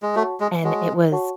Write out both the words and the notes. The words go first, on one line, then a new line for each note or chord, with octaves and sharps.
And it was
G#3
A3 F#4 C#5 F#5 A5 C#6
G#3
G#3 F#4 C#5 F#5 A5 C#6
F#4 C#5 F#5 A5 C#6